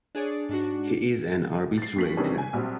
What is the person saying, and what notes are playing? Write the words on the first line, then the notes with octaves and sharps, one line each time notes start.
He is an arbitrator.
D4 G#4 C#5 D5
G#2 D4 F#4
A6 C7
D#2 B6 F#7
C3 D#3 E3 G3 C#4 D4
G#5
A#1 F#3 G3 C4